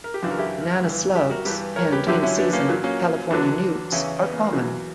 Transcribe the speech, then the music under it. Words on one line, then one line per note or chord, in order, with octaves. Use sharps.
Banana slugs and, in season, California newts are common.
A#4
G4
F#2 C#3 E3 D4 F#4
A#4
E4 G4
G2 E3
E4 G4
F#4 A#4
G2 E3 G4 B4
A#4 C#5
G4 B4
F#2 D3 F#3 E4 G4
C#4 E4
B3 D4
A#3 C#4
A#2 F#3
A#3 C#4
E2 D3 F#3 B3 D4
E2 C#3 E3 C#4 E4
B3
A#3
A#3
E2 B2 F#3